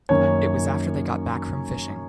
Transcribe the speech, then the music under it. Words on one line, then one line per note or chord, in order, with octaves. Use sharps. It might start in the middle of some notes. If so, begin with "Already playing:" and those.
It was after they got back from fishing.
F#2 D#3 A#3 C#4 C#5